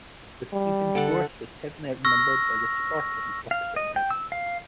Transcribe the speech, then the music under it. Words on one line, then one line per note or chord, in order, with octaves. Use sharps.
The Theban force was heavily outnumbered by the Spartans opposite them.
G3
D3 A4 F#5
C#6 E6 F6 A#6
F5
D#5
G5
E6
F5